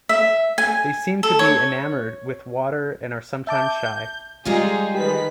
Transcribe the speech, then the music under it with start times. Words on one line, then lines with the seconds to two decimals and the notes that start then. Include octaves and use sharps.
They seem to be enamored with water and are sometimes shy.
0.09 E5
0.58 G#5
1.23 A4
1.39 C#5
3.47 E5 A5 D6 G6
4.45 G3 G#3 D#4 F4 G#4
4.95 D#3 G4 B4 B6